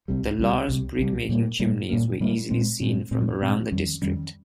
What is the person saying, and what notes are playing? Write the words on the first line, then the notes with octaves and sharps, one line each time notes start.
The large brick-making chimneys were easily seen from around the district.
C2 C3 G3
C2 C3 G3
C2 C3 G3
C2 C3 G3
A#2 G3 A#3
A#2 G3 A#3
A#2 G3 A#3
A#2 G3 A#3
A#2 G#3 C4
A#2 G#3 C4
A#2 G#3 C4
A#2 G#3 C4
F2 D#3 G3 C#4
F2 D#3 G3 C#4